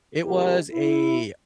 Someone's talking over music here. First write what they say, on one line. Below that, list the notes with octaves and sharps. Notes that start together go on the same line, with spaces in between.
it was a
D2 C3 D#3 G#3 G4 A#4
E4